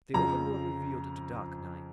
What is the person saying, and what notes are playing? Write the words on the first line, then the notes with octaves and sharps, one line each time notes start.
The open door revealed the dark night.
F2 C#3 F3 A#5